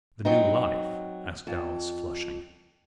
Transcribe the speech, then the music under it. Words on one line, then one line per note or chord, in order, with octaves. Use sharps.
"The new life?" asked Alice, flushing.
F#3 C4 D#4
F2